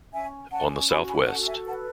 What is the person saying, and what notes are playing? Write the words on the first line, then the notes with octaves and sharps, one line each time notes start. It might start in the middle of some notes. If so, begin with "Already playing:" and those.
On the Southwest.
C#4 E5 G#5
C#4 F#5 A5
F#4 G#5 B5
G#5 B5
A4 F#5 A5
E5 G#5
B4 F#5 A5